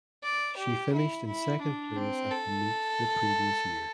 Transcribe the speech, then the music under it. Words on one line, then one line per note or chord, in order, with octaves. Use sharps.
She finished in second place at the meet the previous year.
D5
G4
E4
E4
D4
C4
A4